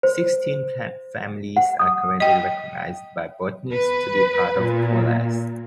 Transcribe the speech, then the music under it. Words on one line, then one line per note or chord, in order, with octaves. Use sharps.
Sixteen plant families are currently recognized by botanists to be part of Poales.
C5
F#5
D#6
D#5 G5
B4
A#2